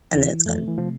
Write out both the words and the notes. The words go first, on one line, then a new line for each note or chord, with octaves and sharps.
And then it's gone.
D#2 D#3 E3
F2 F3 A3
E3
C3 F3